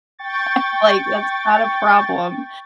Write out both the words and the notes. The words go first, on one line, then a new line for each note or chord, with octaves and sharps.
I'm like, "That's not a problem."
G5 C#6 A6